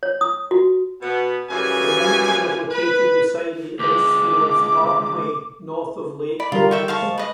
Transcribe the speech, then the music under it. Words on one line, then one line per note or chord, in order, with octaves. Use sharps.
The mountain is located beside the Icefields Parkway, north of Lake Louise.
C#5
D#6
F#4
B2 B3
F#2 A2 C#3 E3 G3 G#5
B4
D2 G#3 D6
D5 B5
D3 G3 F4 A#4
E5 G5 C#6
F5 A5 C#6
G#3
B4 D#5